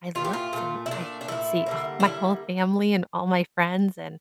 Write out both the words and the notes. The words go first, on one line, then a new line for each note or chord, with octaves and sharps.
I looked, and I could see, ugh, my whole family and all my friends, and,
A#2 A3 F4
G4
F4
A#2 A3
E4
A#2 A3 D4
D4
A#2 A3 E4
D3 G3 A#3
D4
D3 G3 A#3 E4